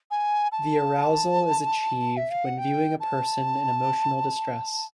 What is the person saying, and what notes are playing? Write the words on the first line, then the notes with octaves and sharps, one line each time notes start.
The arousal is achieved when viewing a person in emotional distress.
G#5
A5
E5
F5
F#5
G5
A5